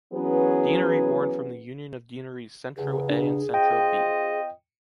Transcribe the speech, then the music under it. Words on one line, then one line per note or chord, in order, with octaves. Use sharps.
Deanery born from the union of deaneries “Centro A” and “Centro B”.
E3 F#3 B3 C#4 G#4 B4
E2 G2 C#3 G#4
D4
C4 F4 D#5 G5